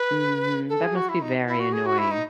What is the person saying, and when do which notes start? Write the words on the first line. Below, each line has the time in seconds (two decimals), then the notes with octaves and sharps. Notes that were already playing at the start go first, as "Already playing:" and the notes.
Mhm, that must be very annoying.
Already playing: B4
0.69 A4
0.83 G#4
0.96 F#4
1.09 E4
1.22 D#4
1.47 E4
1.59 F#4
1.73 G#4
1.86 F#4
1.98 E4
2.11 D#4